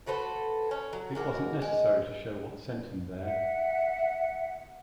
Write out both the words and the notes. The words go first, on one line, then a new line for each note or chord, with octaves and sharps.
It wasn't necessary to show what sent him there.
F#4 A4 B4 C5
C#4
F#3
G#3 A#3 F#4
G#3
E5 F#5